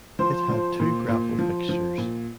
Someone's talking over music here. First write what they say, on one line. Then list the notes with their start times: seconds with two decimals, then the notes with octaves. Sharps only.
It had two grapple fixtures.
0.19 F3 C5
0.50 F3
0.80 A#2
1.08 A#2
1.39 F3
1.69 F3
1.98 A#2